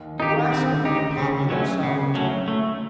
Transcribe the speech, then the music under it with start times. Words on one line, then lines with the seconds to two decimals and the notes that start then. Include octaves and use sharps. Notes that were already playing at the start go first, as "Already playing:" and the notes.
Nebraska--Popular Sovereignty.
Already playing: D#2 D#3
0.19 D#2 D#3 D#4 G4
0.52 D3 C4
0.60 C#3
0.66 D2 D3
0.85 D#4 G4
1.17 C#3
1.50 F#3 A3 C#4
1.83 C#3
2.15 F#3 A3 C#4
2.48 A3